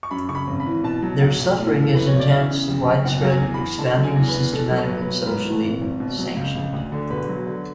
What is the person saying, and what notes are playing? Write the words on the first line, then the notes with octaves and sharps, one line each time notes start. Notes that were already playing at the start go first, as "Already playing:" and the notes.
Their suffering is intense, widespread, expanding, systematic and socially sanctioned.
C#6
F#2 B5
C#3 C#6
B5
G#1
B5
E3
B2 A5
F#3
B1 F#5
B1
A2
E3
A4
B1 B4
C#5
B1
D5
E2 E5
C#3
F#1
F#1
B2 F#5
F#3
G#5
E2
B5
E2
D3 A5
F#3
G#5
E2
B4
E2
B2 A4
F#3
B4
B1
B4
B1
G#2 B4
E3
G#1
G#1
B2
F#3
C#2
C#2
D2
D3
E1 B4
F#3
D3